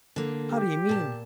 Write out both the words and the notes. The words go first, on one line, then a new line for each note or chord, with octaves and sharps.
"How do you mean?"
D3 A#3
G4
A#2 A5